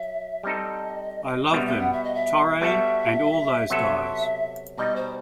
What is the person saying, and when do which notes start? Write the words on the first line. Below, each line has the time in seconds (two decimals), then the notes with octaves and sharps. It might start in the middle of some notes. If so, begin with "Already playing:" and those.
I love them, Torre and all those guys.
Already playing: F#3 E5
0.43 G3 C4 D#4 A4 D#5
1.52 B2 G3 B3 E5
1.66 E5
1.80 F#5
1.93 E5
2.04 D#5
2.15 E5
2.61 G3 B3 F#4 A4 E5
3.70 C3 F#3 B3 F#4 A4 E5
4.78 B2 G3 D#4 D#5
4.96 C5